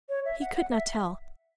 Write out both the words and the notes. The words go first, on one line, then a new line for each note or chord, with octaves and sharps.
He could not tell.
C#5
E5
F#5
F#5
E5